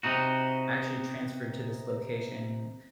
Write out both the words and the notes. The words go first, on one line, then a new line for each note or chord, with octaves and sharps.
I actually transferred to this location.
C3 D#4 F#4